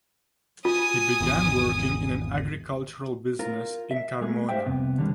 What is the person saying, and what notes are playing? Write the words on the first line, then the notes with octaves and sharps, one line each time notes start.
He began working in an agricultural business in Carmona.
F4 G#5 D#6
G#1 E2
F4 A#4
E5
G#3 A3 B3 G#4
G4 G#4 C5 E5 F5 G5
C2 F2 C3 B3
D3 D#3 G3 G#3 A#3 C#4